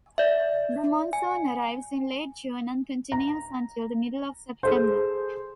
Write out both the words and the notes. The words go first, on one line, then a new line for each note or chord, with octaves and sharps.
The monsoon arrives in late June and continues until the middle of September.
D5 E5
G#5
A#5
G#4 A4 C5